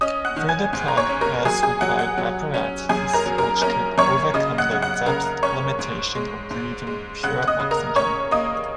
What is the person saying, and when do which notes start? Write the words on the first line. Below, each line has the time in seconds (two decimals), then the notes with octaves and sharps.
Further progress required apparatus which could overcome the depth limitation of breathing pure oxygen.
0.01 C#4 D#5 D#6
0.25 F#5 F#6
0.36 D#3
0.49 G#5 G#6
0.73 G#2
0.88 A#5
0.97 C#5 C#6
1.09 C#4
1.21 A#4 A#5
1.45 F#3 G#4 G#5
1.63 G#4 G#5
1.81 F#3 F#5
1.99 F#5
2.18 F#3
2.54 C#4
2.89 F#2 G#4 G#5
3.13 A#4 A#5
3.26 F#3
3.38 A#4 A#5
3.62 C#4 A#4 A#5
3.98 F#2 C#5 C#6
4.34 C#3 D#5 D#6
4.58 F#5 F#6
4.71 C#3
4.82 F#5 F#6
5.06 C#3 A#4 A#5
5.43 C#4 C#5 C#6
5.79 G#2
6.15 G#3
6.51 G#2
6.87 G#3
7.23 C#3 F#5 F#6
7.42 F#6
7.48 D#5 D#6
7.60 C#3
7.71 A#4 A#5
7.96 C#4 C#5 C#6
8.31 A#3 D#5 D#6